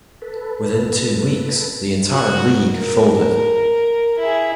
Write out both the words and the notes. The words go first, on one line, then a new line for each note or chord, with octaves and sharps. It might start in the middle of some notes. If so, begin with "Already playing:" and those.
Within two weeks the entire league folded.
A4 B4
F#4
A#4
E4 G#4